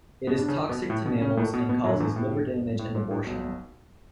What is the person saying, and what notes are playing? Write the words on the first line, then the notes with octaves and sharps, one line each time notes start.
It is toxic to mammals and causes liver damage and abortion.
B2 B3
D4
C#3 C#4
B2 B3
A2 A3
B2 B3
C#3 C#4
A2 A3
B2 B3
B2 B3
F#2 F#3
D3
E2 E3
A2
A2
G#2
A2
B1 B2